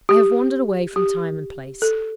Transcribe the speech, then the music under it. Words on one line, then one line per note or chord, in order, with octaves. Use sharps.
I have wandered away from time and place.
G4
G4
A4